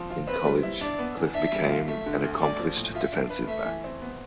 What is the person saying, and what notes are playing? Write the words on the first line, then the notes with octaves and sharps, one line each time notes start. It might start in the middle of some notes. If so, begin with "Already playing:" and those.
In college, Cliff became an accomplished defensive back.
Already playing: F3 C4
F4
C4 B4
G3
E4
D4 D5
B3
E3
D4 E5
G3
F4
A3 E5
D3
D2
A3 D5
F3
A2
F4 E5
D4
B4
A3 E5
E3
C4
B3